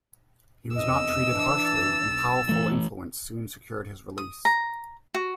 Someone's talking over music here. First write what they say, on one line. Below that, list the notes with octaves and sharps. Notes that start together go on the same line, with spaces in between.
He was not treated harshly, and powerful influence soon secured his release.
F1 E2 D#5 E6
E3 D4
A6
B1
F#1 E3 A3
D#6
A#5
F#4